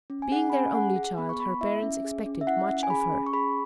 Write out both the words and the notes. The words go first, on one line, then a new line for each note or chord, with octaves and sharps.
Being their only child, her parents expected much of her.
C#4
G#5
G#4 F#5
B5
C#4 G#5
G#4 F#5
G#4
B3 B5
C#6
B3 B5
E4 E5
C#4
G#4
C#4
E5
E4 F#5
C#4
G#5
G#4 B5
C#4
C#6
G#4 B5